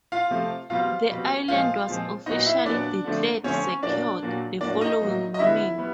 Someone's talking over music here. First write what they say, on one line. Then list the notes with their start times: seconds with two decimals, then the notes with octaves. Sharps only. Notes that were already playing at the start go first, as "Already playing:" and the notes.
The island was officially declared "secured" the following morning.
0.12 F4 F5
0.30 C3 F3 A3 C4
0.70 B2 G3 C4 F4 F5
1.10 B2 G3 C4
1.48 A#2 F3 G#3 C4 F4 F5
1.87 A#2 F3 G#3 C4
2.26 A#2 F#3 B3 D#4 D#5
2.46 E4 E5
2.65 A#2 F#3 B3 D4 D5
3.04 D3 F3 A3 C4
3.44 D3 F3 A3 C4 C#4 C#5
3.83 A#2 F#3 A#3 D4 D5
4.23 A#2 F#3 A#3
4.61 A2 F#3 A#3 D4 D5
4.81 D#4 D#5
5.01 A2 F#3 A#3
5.34 D#5
5.39 D3 G3 B3 E4 E5
5.78 G3 B3